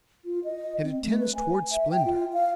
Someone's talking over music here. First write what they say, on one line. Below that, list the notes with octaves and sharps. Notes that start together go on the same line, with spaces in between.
And it tends toward splendor.
F4
D#5
C4
A3
B4
G#5
E5
G5
F4
F5